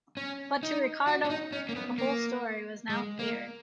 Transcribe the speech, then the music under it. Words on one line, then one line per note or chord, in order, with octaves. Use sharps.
But to Ricardo the whole story was now clear.
C#4
D#4
F#4
C#4
D#4
C#4
A#3
B3
A#3
G#3
A#3